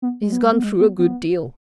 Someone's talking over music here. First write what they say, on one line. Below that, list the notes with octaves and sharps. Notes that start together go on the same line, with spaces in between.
He's gone through a good deal.
B3
G#3
B3
G#3
B3
G#3
B3
B3